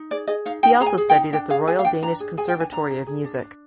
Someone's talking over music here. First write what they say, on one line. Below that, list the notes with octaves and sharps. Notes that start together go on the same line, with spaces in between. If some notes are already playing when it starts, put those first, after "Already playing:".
He also studied at The Royal Danish Conservatory of Music.
Already playing: D#4
G#4 D5
G#4 D#5
D#4 F5
D#4 G5
G#4 A#5
G#5
G#4
G5
D#4
D4 G5
G#4 F5
G#4 G#5
F5
D4 G5
D4 A#5
G#4
G#4 G#5
G5
D4
G#5
D4 A#5
G#4
G#4
D4
D4